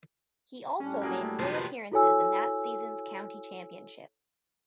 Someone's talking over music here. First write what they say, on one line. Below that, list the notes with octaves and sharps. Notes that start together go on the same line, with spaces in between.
He also made four appearances in that seasons County Championship.
A2 G3 C#4 D4
F#3 A#3 G#4
A3
C3 F3 F#3 B3 C5
A#2 D#3 B4
E4 F#4 A4 C#5 G#5 E6